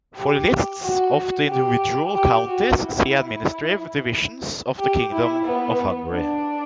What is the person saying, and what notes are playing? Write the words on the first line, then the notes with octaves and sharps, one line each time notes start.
For lists of the individual counties, see Administrative divisions of the Kingdom of Hungary.
G4
F#4
G4
G4
F#4
E4
G4
E4
B3
D4